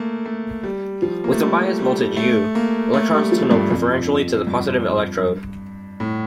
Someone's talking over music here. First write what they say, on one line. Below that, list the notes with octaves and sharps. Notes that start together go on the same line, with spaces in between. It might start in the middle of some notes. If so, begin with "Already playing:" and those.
With a bias voltage "U", electrons tunnel preferentially to the positive electrode.
Already playing: A3 A#3
A3
G3
F3
A#3
A3
G3
G3
A3
A#3
A3
G3
F3
G2
F2
G2
A2